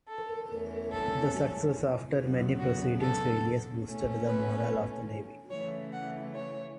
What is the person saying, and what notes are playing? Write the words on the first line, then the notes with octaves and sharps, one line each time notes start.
The success, after many preceding failures, boosted the morale of the navy.
A4
E2 E3 A3 C#4
A4
E2 C#3 F#3 B3
F#4
A4
B2 A3 C#4
B4
C#3 E3 A3 C#5
F#5
C#5